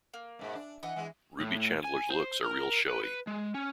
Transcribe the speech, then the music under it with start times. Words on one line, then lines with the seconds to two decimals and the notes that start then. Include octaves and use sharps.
Ruby Chandler’s looks are real showy.
0.14 A#3
0.39 G#2 B2
0.55 D4
0.83 E3 D#5 F#5
0.96 E3 G#3
1.40 A2
1.84 G#5
2.10 C5
2.44 A#4
2.88 B4
3.04 B4
3.27 G#3
3.55 C#4